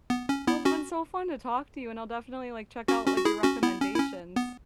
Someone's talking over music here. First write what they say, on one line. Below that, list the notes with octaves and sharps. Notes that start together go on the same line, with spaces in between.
Well, it's been so fun to talk to you and I'll definitely, like, check out, like, your recommendations.
B3
C#4
B3 E4
C#4 F#4
C#4 F#4
C#4 F#4
F#4
E4 G#4
C#4 F#4
B3 E4
C#4
E4
C#4
B3